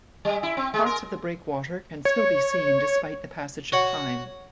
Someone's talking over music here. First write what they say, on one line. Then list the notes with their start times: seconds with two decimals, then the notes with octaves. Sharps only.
Parts of the breakwater can still be seen despite the passage of time.
0.25 G3
0.43 E4
0.57 C4
0.74 G#3
0.86 A#4
2.05 C#5
3.72 F#4 C#5 F#5